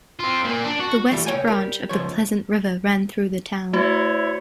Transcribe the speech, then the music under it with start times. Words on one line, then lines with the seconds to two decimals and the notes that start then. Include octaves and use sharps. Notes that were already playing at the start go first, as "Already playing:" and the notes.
The West Branch of the Pleasant River ran through the town.
0.19 C4 F4
0.44 A#2 A#3
0.64 D4
0.80 F#4
1.11 E3 G3 A3 F4
1.26 C#2 C#5 G5 G#5
1.47 G3 A#4
1.89 C#2 A#2 F3 C#5
3.73 A3 E4 F#4 C5 C#5